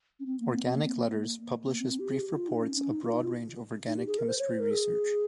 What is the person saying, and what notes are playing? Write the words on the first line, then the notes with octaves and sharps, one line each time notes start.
Organic Letters publishes brief reports a broad range of organic chemistry research.
C#4
C4
A#3
C4
C4
A#3
C4
A#3
C4
C4
G4
G#4
G4
F4
D#4
C#4
C#4
D#4
F4
D#4
F4
D#4
G4
G#4
A#4
C5
C#5
C5
A#4
G#4